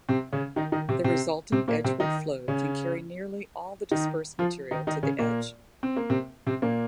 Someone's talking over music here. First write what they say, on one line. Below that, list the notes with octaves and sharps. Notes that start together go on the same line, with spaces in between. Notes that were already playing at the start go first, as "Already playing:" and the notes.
The resulting edgeward flow can carry nearly all the dispersed material to the edge.
C3 C4
C#3 C#4
D#3 D#4
D#3 D#4
C3 C4
C3 C4
C3 C4
A#2 A#3
C3 C4
D#3 D#4
C#3 C#4
D#3 D#4
F3 F4
D#3 D#4
D#3 D#4
C#3 C#4
A#2 A#3
C4
A#3
C3 C4
C3 C4
A#2 A#3